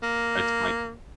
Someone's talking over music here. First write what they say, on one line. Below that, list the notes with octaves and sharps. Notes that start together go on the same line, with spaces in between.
that's my
A#3